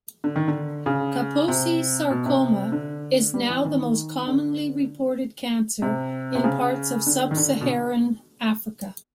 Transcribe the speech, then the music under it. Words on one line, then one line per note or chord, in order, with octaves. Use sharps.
Kaposi's sarcoma is now the most commonly reported cancer in parts of sub-Saharan Africa.
D3
D#3
D3
C#3
C3
B2
C3
D3
G3
E3
D#3
D3
C3
C3
C#3
D3
D#3
D3
B2